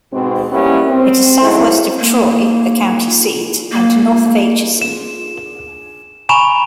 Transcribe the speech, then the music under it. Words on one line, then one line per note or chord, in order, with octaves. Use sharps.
It is southwest of Troy, the county seat, and north of Atchison.
G#2 B2 C4
G3 A#3 B3 C#4 E4 G4
C4
F#3 G#3 A3 C4 D#4 E4
A#3
A#3
E7
G#5 A#5 B5 C#6 E7 F7